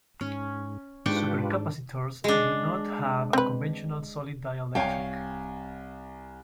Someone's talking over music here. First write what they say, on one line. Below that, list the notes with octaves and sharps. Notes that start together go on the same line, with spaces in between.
Supercapacitors do not have a conventional solid dielectric.
G#2 C#4
G#2 D4 F4 G4 B4 G5 C#6
G#3 D4
C4 B4
C2 C#5 F5 G5 G#5